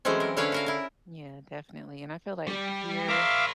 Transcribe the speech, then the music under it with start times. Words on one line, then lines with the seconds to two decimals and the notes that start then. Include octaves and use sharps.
Yeah, definitely, and I feel, like, here,
0.05 E3 F#3 G#3 A3 C4 C#4
0.20 A#4
0.37 D3 C#4 E4 B4 C#5 F5
0.52 F#4 A#4 F5
0.66 E4 A#4
2.47 G3
3.09 A#4 C5 E5 F5 D6